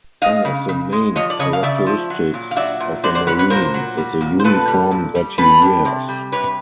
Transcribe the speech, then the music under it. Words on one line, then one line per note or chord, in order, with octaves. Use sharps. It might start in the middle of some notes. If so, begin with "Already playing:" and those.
One of the main characteristics of a marine is the uniform that he wears.
G#3 D#5 F5
C#3
C#3
G#3
F3 C#5 D#5
D5
C#3 C#5 D#5
F5
C#3 D5 E5
F3
F#3
A#2
F5
F#3 D5 E5
A#2
F#3 C5 D5
C5 D5
F#3 B4 C#5
B4 C#5
A#2 A#4 C5
F#3
G3
A#2
C5
A#2 A4 B4
G3
A#2
G3
G3 A4 B4
G3
C3
G3
C3 B4 C#5